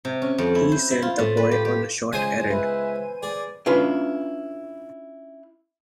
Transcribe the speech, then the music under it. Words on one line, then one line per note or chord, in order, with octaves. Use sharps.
He sent the boy on a short errand.
C3
C#4
F2
E4
C5
E4
F4
A2
B4
G4
G4
C#2 C#3 C5 G#5 D#6 D#7
B4 E5
G#4 D5
C#4 D4 E4 F4 B4